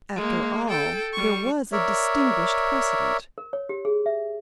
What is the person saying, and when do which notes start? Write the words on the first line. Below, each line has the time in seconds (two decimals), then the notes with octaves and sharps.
After all, there was a distinguished precedent.
0.15 G#3 A#3
0.69 A4 G5
1.13 G3 C#6
1.72 A#4 C#5 D5 E5
3.38 A#4
3.53 C#5
3.69 G4
3.85 G#4
4.06 E5